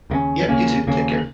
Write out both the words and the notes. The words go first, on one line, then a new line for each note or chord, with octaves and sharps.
Yep. You too. Take care.
D#2 C#3 A#3 C#4
D#2 C#3 A#3 C#4
D#2 C#3 A#3 C#4